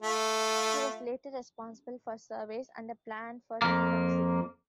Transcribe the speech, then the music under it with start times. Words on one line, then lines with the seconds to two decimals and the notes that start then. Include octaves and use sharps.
He was later responsible for surveys and a plan for New York City.
0.02 A3 F4
3.62 F2 A#3